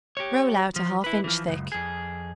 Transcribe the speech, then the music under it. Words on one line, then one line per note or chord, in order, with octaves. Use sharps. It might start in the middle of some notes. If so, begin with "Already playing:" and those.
Roll out a half inch thick.
G4 C#5
F3
E4 B4
E3 F3
C#2 F#2
F2 G#4